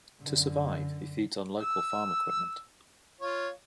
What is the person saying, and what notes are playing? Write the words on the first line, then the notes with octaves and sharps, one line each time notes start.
To survive, he feeds on local farm equipment.
F#2 D3
E6
F4 C#5